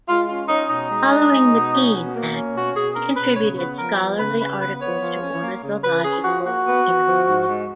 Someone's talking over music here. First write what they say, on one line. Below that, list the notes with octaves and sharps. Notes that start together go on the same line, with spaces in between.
Following the Keene Act, he contributed scholarly articles to ornithological journals.
G#3 F4
C#4 F4
C#4 D#4
B2 D#4
G#3
C#4
G#3
B2
C#4
B2
A#3
C#4
B2 F#4
B2 G#4
C#4 A#4
B2 B4
C#3 C#5
B3 B4
F3 A#4
B3
C#3 B4
C#3 B4
B3 B4
B3 C#5
F3
C#4
A#3
C#3
C#3 B4
C#4 G#4
F3 F#4
A#3 F#4
B3
B3
F3
G#2
G#2